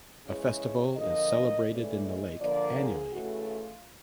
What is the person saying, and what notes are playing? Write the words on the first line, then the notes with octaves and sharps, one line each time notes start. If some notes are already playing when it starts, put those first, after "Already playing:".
A festival is celebrated in the lake annually.
C#3 E3 G#3 C#5
D3 F3 A#3 D#5
C#3 E3 A3 D5
D#5
D3 F3 A#3 D5
G#4
C#3 E3 A3 F#4
F4